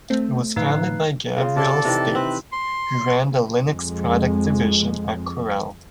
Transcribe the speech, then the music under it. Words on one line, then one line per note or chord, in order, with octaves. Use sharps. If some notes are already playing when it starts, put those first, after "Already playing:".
It was founded by Gavriel State, who ran the Linux product division at Corel.
A3 C4
A2 D3 F3 D#4 B4 F5
C#3 F4
C3 A4 D5 A5
C3 D#3 E3
C4 B4 F#6
C6
F2 G#3